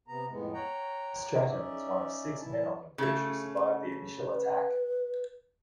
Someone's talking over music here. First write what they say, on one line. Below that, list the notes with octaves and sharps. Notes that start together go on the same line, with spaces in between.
Stratton was one of six men on the bridge who survived the initial attack.
C3 B3 A#5
F2 A2 G#3 B3
C#5 F#5 G5 A#5
C#4 D#4 D5 E5
E3 G3 E4 A5
C#3 A3
B4